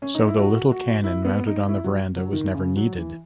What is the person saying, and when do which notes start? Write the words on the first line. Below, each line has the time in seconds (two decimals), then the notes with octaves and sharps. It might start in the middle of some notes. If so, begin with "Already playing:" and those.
So the little cannon mounted on the verandah was never 'needed.
0.02 C#4
0.15 D#4
0.27 E4
0.39 F#4
0.72 F#4
1.04 E4
1.25 B3
1.47 D#4
1.68 E4
1.84 F#3
2.17 F#3
2.33 D#3
2.54 C#3
2.77 F#3
2.98 E3